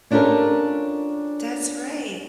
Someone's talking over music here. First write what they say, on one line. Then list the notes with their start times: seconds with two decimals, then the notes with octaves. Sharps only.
That's right.
0.11 C#4 D4 F4 G4 A4 A#4